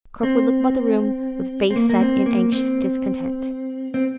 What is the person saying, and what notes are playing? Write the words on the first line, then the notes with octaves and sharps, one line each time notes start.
Kirkwood looked about the room with face set in anxious discontent.
C4
C4
A#3
A#3
C4
A#3
C4
C4